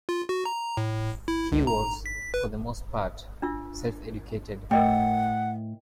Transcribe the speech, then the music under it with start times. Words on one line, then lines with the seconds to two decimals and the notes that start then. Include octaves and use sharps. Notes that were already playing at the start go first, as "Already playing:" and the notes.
He was, for the most part, self-educated.
0.09 F4
0.29 F#4
0.45 A#5
0.77 A2
1.28 E4
1.52 C#2
1.67 A#5
2.06 B6
2.34 B4
3.42 D4 F4 E6
4.71 A2 A#4 D#5 F#5 G5